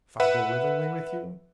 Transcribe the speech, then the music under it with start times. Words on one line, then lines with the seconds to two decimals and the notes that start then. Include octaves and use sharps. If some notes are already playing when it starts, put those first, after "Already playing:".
"If I go willingly with you?"
0.20 B4 E5 F#5